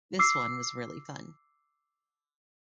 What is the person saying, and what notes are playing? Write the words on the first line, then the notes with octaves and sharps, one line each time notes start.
This one was really fun.
D6 E6 C7